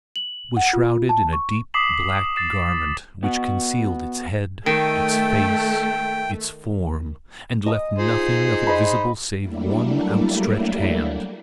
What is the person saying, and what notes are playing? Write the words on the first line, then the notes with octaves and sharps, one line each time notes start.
It was shrouded in a deep black garment, which concealed its head, its face, its form, and left nothing of it visible save one outstretched hand.
F#7
F#5
F4
A5
C#6
D6 D#6 B6 C7 E7 F#7
A6 C7 E7
B3 F#4
D#3 A3 G5
D#5 D#6
D#4 F4 G#4 C5
D#5 B5
F#3 G3 A3 A#3 D4 E4